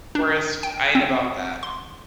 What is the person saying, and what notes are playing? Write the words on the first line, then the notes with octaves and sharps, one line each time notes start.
forest, I ain't about that.
D4
G5
C4
C6